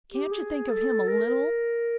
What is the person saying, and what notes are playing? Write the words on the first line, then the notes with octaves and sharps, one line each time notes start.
Can't you think of him a little?
G4
G#4
A4
A#4